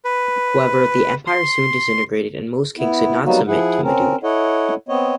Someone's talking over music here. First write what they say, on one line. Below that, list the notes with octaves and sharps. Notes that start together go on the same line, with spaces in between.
However, the empire soon disintegrated and most kings did not submit to Madood.
B4
C6
B3 E4
F#3 G3 A#3 B3 D#4 F#4
F3 E4 G#4 F#5
C4 C#4 A#4
E4 A4 C#5 D#5 F#5
B3 C4 C#5 D#5